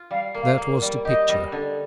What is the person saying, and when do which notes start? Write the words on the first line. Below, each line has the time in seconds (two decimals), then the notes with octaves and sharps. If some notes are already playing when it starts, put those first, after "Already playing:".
That was the picture!
Already playing: F4
0.11 G3 F5
0.34 A#3
0.42 F5
0.58 A#3
0.82 G3
1.05 G4 D#5
1.29 G3
1.52 D3